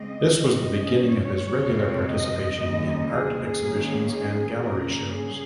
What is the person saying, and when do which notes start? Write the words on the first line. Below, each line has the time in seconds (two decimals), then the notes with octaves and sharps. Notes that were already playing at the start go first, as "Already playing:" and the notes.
This was the beginning of his regular participation in art exhibitions and gallery shows.
Already playing: C#3 G#3 C4 D#5
0.56 G2 G3 C#4 D#5
1.07 C#5
1.57 F2 C3 F3 C4
2.09 D#5
2.59 D#2 C#3 G3
3.09 G#4
3.60 D#2 D#3 A#3 C#4
4.11 G#4
4.61 C#3 G3 A#3 C#4 A#4
5.11 G#4